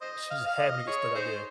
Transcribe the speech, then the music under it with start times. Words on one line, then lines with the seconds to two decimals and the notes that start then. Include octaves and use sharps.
She just happened to get stuck out there,
0.01 C5 D#5
0.30 F5
0.47 F5
0.59 D#5
0.87 G#4 C#5
1.15 D#4 G#4 C5